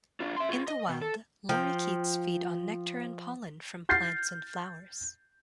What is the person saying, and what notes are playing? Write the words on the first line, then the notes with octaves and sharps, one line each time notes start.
In the wild, lorikeets feed on nectar and pollen from plants and flowers.
D4 F4
E5 C6
F4 G#4
D#5
B2
A4
F3 G5
F6 G6 A6 C7